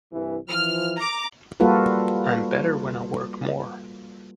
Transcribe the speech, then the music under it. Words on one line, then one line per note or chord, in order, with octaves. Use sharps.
I'm better when I work more.
C2 G2 E3
E3 F3 F6
A#5 D6
G3 A#3 F4 F#4 A4 B4